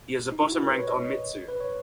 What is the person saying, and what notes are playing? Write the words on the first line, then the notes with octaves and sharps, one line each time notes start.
He is a bottom-ranked onmitsu.
D#4
E4
F#4
A#4
B4
C#5
D#5
B4
C#5